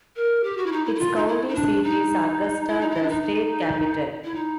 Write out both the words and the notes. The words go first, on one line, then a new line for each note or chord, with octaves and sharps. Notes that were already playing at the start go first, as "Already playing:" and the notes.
Its county seat is Augusta, the state capital.
A#4
G4
F#4
E4
D#4
E4
E4
F4
D#4
E4
D#4
D4
D#4
E4
D#4
D#4
E4
D4
D#4
D#4
E4
D#4